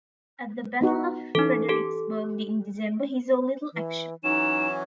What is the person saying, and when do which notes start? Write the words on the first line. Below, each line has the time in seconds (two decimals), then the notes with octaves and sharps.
At the Battle of Fredericksburg in December, he saw little action.
0.81 B3 D#4 F#4
1.35 E3 C#4 D#4 A4
1.69 G4 A4
3.74 E3
4.24 E3 F#3 C#4 D#4 E7